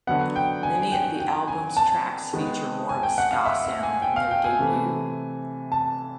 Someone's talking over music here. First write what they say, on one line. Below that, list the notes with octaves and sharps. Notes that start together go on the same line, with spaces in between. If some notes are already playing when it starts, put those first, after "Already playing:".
Many of the album's tracks feature more of a ska sound than their debut.
D3 F#3 B3 F#5
G5
G#5
G5
G5
G#5
A5
D#3 G#3 B3
G#5
G5
F#5
F5
E5
E5
G#5
G5
F5
G5
G#5
C3 E3 A3
A5